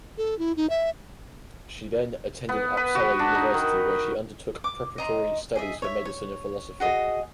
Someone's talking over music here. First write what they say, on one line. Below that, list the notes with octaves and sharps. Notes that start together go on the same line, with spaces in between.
She then attended Uppsala University where she undertook preparatory studies for medicine and philosophy.
A4
E4
D#4
E5
B3
B4
F#4
D4
D#4
D#3
D6
D#5 A#5 C6
G#4 D#5 E5
C#5 E5
C#5
F#4 G#4 D#5